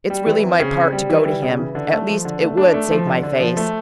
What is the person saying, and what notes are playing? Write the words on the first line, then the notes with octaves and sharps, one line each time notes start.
It's really my part to go to him--at least it would save my face.
G3
E3
C4
C#3
C4
G3
E3
G3
C#3
E3
D3
A3
F3
D3
A3
D4
A3
F3
D3
D3
F3
A3